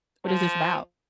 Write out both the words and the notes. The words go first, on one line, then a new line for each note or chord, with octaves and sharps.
what is this about?
F3